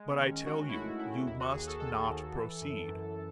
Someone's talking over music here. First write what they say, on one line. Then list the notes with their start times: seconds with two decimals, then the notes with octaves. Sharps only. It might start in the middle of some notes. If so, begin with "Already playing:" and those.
"But I tell you, you must not proceed."
Already playing: G#3
0.10 B3
0.19 D#3 C#4
0.46 D#3 F#4
0.69 E4
0.73 A3 F#4
0.99 D#3 E4
1.27 D#2 E4
1.40 F#4
1.53 D#2 G#4
1.67 A4
1.80 D#2 A4
2.08 D#2
2.35 E3
2.61 F#2
2.88 F#2